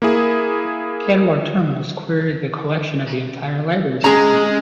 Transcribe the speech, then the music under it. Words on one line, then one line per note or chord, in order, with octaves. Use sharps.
Catalog terminals query the collection of the entire library system.
A#3 E4 G#4
G#3 C#4 G#4 A#5